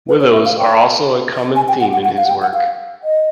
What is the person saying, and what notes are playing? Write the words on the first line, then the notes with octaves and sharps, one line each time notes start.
Willows are also a common theme in his work.
B4
C#5
E5
F5
G5
G#5
G5
F#5
F#5
F#5
F5
F#5
G5
F#5
F5
D#5